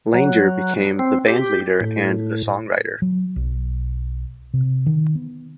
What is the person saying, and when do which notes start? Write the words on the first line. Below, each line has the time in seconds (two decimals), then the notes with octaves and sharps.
Langer became the band leader and the songwriter.
0.14 F#3
0.99 C4
1.27 G4
1.80 A2
3.02 F#3
3.36 B1
4.53 C3
4.86 D#3
5.15 B3